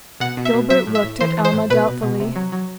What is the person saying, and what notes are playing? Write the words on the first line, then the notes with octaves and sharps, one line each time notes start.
Gilbert looked at Alma doubtfully.
B2 F#5
B2
E5
B2
F#3 E5
A2
E5
A2
E3 C5
E3
C5
A2
B2 B4
B2
B2
C3
F#3
F#3